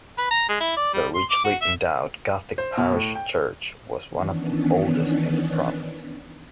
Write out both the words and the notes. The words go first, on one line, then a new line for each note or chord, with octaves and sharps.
The richly endowed Gothic parish church was one of the oldest in the province.
B4
A#5
G#3
E4
D5
G3
C6
D6
F#4
E5
C5
B2
A2
G5
D#3 E3 B3 C#4 D4